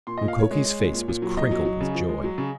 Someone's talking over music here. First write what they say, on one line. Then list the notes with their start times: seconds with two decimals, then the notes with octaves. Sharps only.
Mukoki's face was crinkled with joy.
0.07 A#2 C6
0.17 A#2 D#5
0.28 F5
0.36 A#2 C#5
0.51 G#3 C#5
0.65 G#3
0.80 A#2
0.93 A#2
1.08 A#2
1.22 F#3
1.37 A#2 D#5
1.51 F#3
1.66 F#3
1.80 C#3
1.95 F3
2.09 G#3
2.24 F#3
2.38 C#3